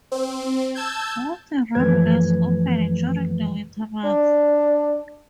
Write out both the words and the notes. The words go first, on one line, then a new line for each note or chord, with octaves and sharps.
Both run less often during the winter months.
C4
A5 E6 G6 G#6
F#2 E3 F3 A3 B4 G#6
D4